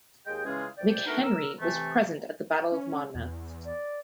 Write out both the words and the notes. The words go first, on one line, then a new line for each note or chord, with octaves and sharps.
McHenry was present at the Battle of Monmouth.
D#2 G#3 G#4 D#5 G5
C#3 E3 G#3 C#4 F4 G#4
D2 D5 G5
A3 B3 D4 D#4 F#4 A#4
A#4 E6
C3 E3 A3
C#4
E2
D5